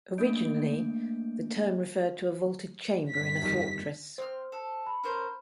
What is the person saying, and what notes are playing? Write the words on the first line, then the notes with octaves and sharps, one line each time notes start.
Originally, the term referred to a vaulted chamber in a fortress.
A3 A#3 D4 D5 G6 D7
G1 C3 B6
F2 D#3 G3
C4 C5 F6
A4
B5
C#4 A#4 C5